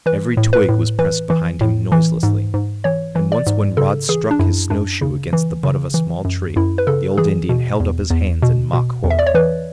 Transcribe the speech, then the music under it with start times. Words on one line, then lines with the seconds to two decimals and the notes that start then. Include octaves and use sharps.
Every twig was pressed behind him noiselessly, and once when Rod struck his snow-shoe against the butt of a small tree the old Indian held up his hands in mock horror.
0.06 E3 B4
0.37 A2
0.53 B4
0.69 A2
0.99 E3 B4
1.30 E3
1.61 A2
1.92 E3
2.23 G#2
2.54 G#2
2.84 E3 C#5
3.16 E3
3.32 D5
3.47 G#2
3.77 C#3 A4
4.09 E3 G#4
4.31 D4
4.39 F#2 E4
4.70 F#2 D4
5.01 C#3
5.33 E3
5.64 C#3
5.94 E3
6.25 F#2
6.56 F#2 E4
6.78 B4
6.87 C#3 A4
7.17 E3 G#4
7.49 B2
7.80 E2
8.10 E2
8.42 B2
8.73 B2
9.04 E2
9.10 E5
9.19 D5
9.26 C#5
9.35 E3 B4